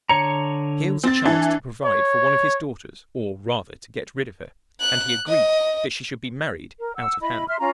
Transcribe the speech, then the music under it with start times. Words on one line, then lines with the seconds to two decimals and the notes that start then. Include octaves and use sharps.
Here was a chance to provide for one of his daughters, or, rather, to get rid of her, and he agreed that she should be married out of hand.
0.09 D3 C#5 A#5 C#7
1.04 C4 A6
1.26 E3 D4
1.84 C#5
4.81 F#6
5.28 D#5
6.80 A#4
6.96 F#5 E6
7.21 E4 D#5 B5
7.48 E5 C6 F6
7.59 C#4 F4 A#5